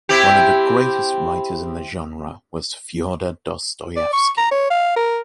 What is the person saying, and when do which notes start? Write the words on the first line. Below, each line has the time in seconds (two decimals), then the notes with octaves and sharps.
One of the greatest writers of the genre was Fyodor Dostoyevsky.
0.09 C4 E4 G4
3.96 D5
4.13 C#6
4.38 A#5
4.51 C#5
4.70 F5
4.96 A#4